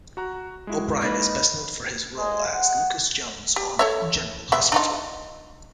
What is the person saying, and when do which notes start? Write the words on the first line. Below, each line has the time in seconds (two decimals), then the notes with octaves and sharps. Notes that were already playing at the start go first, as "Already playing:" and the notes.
O'Brien is best known for his role as Lucas Jones on "General Hospital".
0.17 F#4 A#5 F#6
0.67 G#3 E4 F#4
1.01 A#3 D#4 B4
2.17 G#3
2.55 F#5
3.56 G4
3.79 A4 C#5 E5
4.52 G#3 B3 E5
4.72 D4 D#4 F4